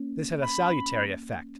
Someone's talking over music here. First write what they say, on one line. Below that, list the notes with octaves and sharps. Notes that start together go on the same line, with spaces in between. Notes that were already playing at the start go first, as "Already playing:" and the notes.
This had a salutary effect.
Already playing: A#3 C#4
B5